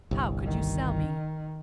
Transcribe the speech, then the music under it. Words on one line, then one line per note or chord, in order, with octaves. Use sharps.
How could you sell me?
G1 C2
D#3